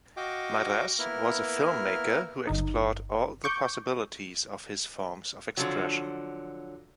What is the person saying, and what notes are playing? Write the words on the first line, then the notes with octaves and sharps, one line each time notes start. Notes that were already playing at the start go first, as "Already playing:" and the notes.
Madrás was a filmmaker who explored all the possibilities of his forms of expression.
F#4 D#5 F5 G5 D6
A#3 B3 E4 A#4 F6
G1 D#4
C#6 D6 G6
D3 F3 F#3